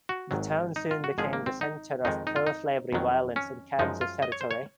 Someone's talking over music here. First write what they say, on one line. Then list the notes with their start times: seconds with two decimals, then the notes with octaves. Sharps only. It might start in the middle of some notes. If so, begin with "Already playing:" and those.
The town soon became the center of pro-slavery violence in Kansas Territory.
0.09 F#4
0.31 G#1 G#2 D#3 F#3
0.76 D#4
0.91 F4
1.04 F#4
1.18 G#1 G#2 F3 G#3 G#4
1.33 A#3
1.46 C4
1.61 D#4
2.05 F2 D#3 G#3 D#4
2.27 D#4
2.36 F4
2.47 D#4
2.93 F2 D#3 F#3
3.36 C#4
3.79 F#2 F3 G#3 D#4
4.01 F4
4.22 D#5
4.32 C#5
4.41 C5
4.51 C#5